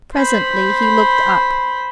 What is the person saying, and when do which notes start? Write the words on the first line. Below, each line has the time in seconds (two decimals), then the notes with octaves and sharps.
Presently he looked up.
0.15 C5 B5